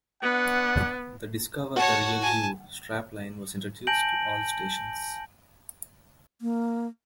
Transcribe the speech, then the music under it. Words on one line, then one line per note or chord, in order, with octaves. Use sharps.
The "Discover the Real You" strapline was introduced to all stations.
B3 D4 F#5
F#4 C#5 F#5 A5
G#5 A5
G#5 A5 G6 A#6 D7 F#7
A#3